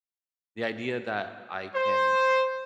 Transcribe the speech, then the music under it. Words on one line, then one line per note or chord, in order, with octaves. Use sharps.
The idea that I can
C5